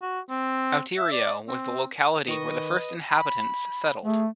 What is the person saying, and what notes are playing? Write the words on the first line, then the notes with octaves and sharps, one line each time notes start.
Outeiro was the locality where the first inhabitants settled.
F#4
C4
E5
D5
C4
D#3 B4 D#5 C#6
B5
A3 G#4